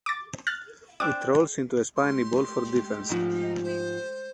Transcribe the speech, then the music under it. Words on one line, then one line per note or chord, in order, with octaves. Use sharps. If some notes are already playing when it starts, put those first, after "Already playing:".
It rolls into a spiny ball for defense.
D6 A6
F6 F#6 A6
C4 D4 D6
G#3 A3 G4 C6
G#2 F3
C5